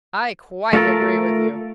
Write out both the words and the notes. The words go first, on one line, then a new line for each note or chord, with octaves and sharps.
"I quite agree with you."
A3 F4 F#4 A4 A#4